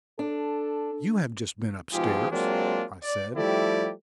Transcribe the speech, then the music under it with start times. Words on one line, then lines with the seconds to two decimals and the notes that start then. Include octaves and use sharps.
"You have just been up-stairs," I said.
0.19 D4 A4
1.93 G#2 B2 F3 F4 G4 G#4
2.31 F#3 G#3 A#3 C4 D4 F4
3.03 D5
3.36 F3 G3 A3 E4 G4 D5